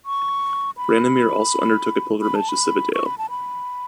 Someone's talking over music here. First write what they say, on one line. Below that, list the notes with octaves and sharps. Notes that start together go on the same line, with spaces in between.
Branimir also undertook a pilgrimage to Cividale.
C#6
B5
B5
A5
B5
C#6
B5
A5
B5